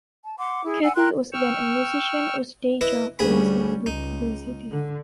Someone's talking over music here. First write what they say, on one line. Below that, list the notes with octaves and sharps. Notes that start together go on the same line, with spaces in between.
Kathi was then a musician whose day job was in book publicity.
A5
F#5 C6 D6
E4 G#4
F#5 G#5 E6
A#4 G5 C6 F#6
G5 C#6 E6 F6
E4 B4 D#5
D2 G3 C#4 G#4 B5
C#2 D#4
D3